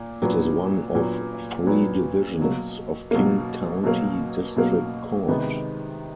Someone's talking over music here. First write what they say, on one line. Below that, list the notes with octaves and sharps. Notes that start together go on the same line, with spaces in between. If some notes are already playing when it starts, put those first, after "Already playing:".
It is one of three divisions of King County District Court.
Already playing: A#2
A#2 F#3 B3
A#2 F#3 B3
A#2 F#3 B3
B2 F#3 A#3
B2 F#3 A#3
B2 F#3 A#3
B2 F#3 A#3
C3 D#3 G#3 B3 D#4